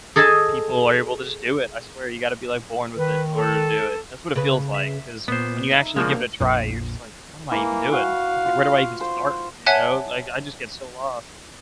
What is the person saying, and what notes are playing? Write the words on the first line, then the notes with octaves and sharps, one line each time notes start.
people are able to just do it, I swear you gotta be, like, born with it in order to do it. That's what it feels like, 'cause when you actually give it a try, you're just like, "What am I even doing?" Like, "Where do I even start?" You know, like, I just get so lost.
G#4 A4 D#5 G#5 A5
D#3 B4
A4
C#3 B4
E5
A#2 B3 C5
D#4 E4
C#3 F3 G#3 A#3 D4
A#1 F2 A#2
E3 A#3
F#4 F5
F4
C5
C#5 E5 F#5 G#5 A5 F#6